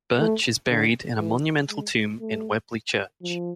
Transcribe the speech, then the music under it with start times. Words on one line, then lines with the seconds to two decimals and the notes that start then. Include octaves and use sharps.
Birch is buried in a monumental tomb in Weobley Church.
0.19 A3
0.69 D3
1.19 E3
1.69 G#3
2.20 A3
3.22 F3